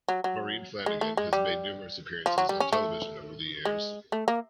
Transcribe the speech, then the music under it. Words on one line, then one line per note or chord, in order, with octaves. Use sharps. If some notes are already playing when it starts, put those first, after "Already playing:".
Maureen Flannigan has made numerous appearances on television over the years.
F#3
F#3
G#3
A3
G#3
G3
F3
F#3
G3
C#4
A3
G#3
A3
A#3